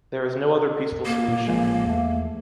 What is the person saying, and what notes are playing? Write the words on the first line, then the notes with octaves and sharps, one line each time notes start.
There is no other peaceful solution.
A#3
A#2
A1 F3 G#3
E2 A3